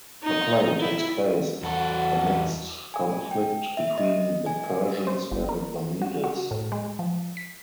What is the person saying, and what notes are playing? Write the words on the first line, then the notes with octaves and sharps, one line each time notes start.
The play takes place amidst conflict between the Persians and the Medes.
D#4
E4
E2 F#4 A4
G#5
G5
E5
D#5
G#5
C5
G1
A#4
F#4
F#4
A2
G#3
F3
B6